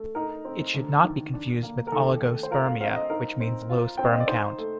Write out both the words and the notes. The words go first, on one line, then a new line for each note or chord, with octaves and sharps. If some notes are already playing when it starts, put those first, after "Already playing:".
It should not be confused with oligospermia, which means low sperm count.
Already playing: A3
D#4 A#4
C4
D2
D#3
D4
A#3
A#4
D#2 A4
A3
C5
F4 A#4
F5
C4 F5
D#5
D#4 A#4
C4
F4
C4 G5
F5
D#5
D5
D#4 C5
A3